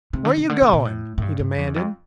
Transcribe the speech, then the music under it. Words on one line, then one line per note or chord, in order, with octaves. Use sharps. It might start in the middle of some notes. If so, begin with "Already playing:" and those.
"Where're you going?" he demanded.
C3
D3
C3
D3
C3
A#2
A2
A2
G2
G2
F2
E2
F2